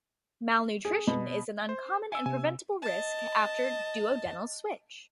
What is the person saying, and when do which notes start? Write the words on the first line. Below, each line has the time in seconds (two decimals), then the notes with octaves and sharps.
Malnutrition is an uncommon and preventable risk after duodenal switch.
0.85 G#4
1.07 B2
1.69 C5
2.12 G#5 E6
2.26 C3 G#5
2.82 D#5 A5